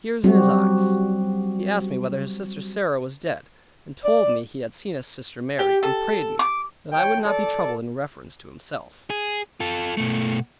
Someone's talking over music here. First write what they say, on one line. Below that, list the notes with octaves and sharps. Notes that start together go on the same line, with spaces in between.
With tears in his eyes, he asked me whether his sister Sarah was dead; and told me he had seen his sister Mary; and prayed me, that I would not be troubled in reference to himself.
F#3 G3 C4 F#4 G4
D5
G4
A4
D6
C#5 G5
A4 D5
G#4
F4 A4
B2 A3